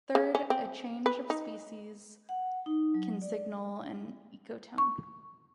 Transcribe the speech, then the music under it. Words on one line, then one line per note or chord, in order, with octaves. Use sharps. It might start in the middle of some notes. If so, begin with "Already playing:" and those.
Third, a change of species can signal an ecotone.
C#3
C#4
C4
B4
D#4
F#5
D#4
F#3
D5
C#6